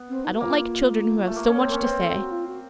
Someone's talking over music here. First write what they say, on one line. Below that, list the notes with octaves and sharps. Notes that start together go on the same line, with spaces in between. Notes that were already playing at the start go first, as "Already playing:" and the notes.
I don't like children who have so much to say.
Already playing: B3
C4
D#4
F#4
A#3 F4
A3
A#3
C#4 A#4
C4
C#4 A#4
C4 B4
A4
F#4
F4
F#4